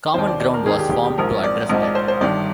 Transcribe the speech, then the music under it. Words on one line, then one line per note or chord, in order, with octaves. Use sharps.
Common Ground was formed to address that.
D#2 D#3 C5
D5
D5
A#4
D#2 D#3 G#4
G4
G4
G4
A#1 G#2 F3 A#4
D5
A#1 G#2 F3 D#5
D5
C5
C5
G1 G2 D#3 D5